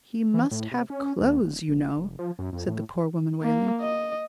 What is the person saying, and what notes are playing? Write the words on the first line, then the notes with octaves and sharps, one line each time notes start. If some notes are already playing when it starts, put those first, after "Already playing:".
"He must have clothes, you know," said the poor woman, wailing.
E3
A2
C3
C#4
D#2
D1
F1
F1
F3
F#2
F2
A2
A#3
D#5